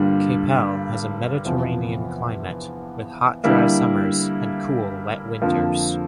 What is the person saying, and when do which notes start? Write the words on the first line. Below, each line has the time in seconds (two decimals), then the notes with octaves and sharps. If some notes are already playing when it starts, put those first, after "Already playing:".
Capel has a Mediterranean climate, with hot dry summers and cool wet winters.
Already playing: G2 D3 G3 A#3 F4
1.45 E2 C3 F3
3.44 D3 G3 A#3 E4
5.42 F2 D3 F3 A#3